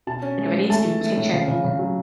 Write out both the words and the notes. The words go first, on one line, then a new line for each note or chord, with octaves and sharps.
Like, if it needs new kitchen
B2 A5
C#4
G#3
G#3
A3 A5
E3
A3
A2
C#3
C#3
C#3
F#3